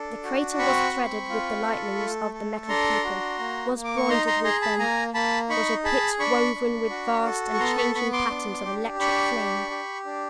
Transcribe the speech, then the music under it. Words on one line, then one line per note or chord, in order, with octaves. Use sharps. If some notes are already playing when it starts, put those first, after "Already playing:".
The crater was threaded with the lightnings of the Metal People; was broidered with them; was a Pit woven with vast and changing patterns of electric flame.
Already playing: D4 A4
F#4
C4 B5 C#6
C4
F4
A4
A3
A4
D4 A#5 C6
F#4
A#3
A#3
D6
C#6
D#4 A#5 C6
A#5 C6
G#4 A#5 C6
A5 B5
A#3 G#5 A#5
A#3 A5 B5
D#4 B5 C#6
G#4 A5 B5
D4 B5 C#6
D4
F#4
A4
C#6
B3 A#5 C6
B5 C#6
B3 B5 C#6
C6 D6
D4
G4
D4 B5 C#6
G4
G4
D4